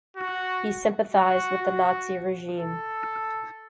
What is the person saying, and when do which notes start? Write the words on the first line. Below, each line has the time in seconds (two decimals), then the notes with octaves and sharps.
He sympathized with the Nazi regime.
0.17 F#4
1.13 F#4
1.61 F#4
2.57 A4